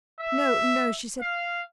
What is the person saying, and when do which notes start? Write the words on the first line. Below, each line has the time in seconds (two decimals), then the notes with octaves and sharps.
"No, no," she said.
0.20 E5
1.20 F5